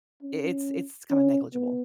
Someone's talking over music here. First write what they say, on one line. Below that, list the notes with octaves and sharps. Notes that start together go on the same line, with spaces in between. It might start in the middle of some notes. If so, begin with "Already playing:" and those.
i it's it's kinda negligible.
C#4
C#4
B3